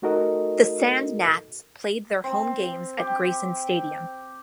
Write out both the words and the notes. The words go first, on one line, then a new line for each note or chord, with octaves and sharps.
The Sand Gnats played their home games at Grayson Stadium.
A3 D#4 F#4 A4 A#4 D#5
C4
G4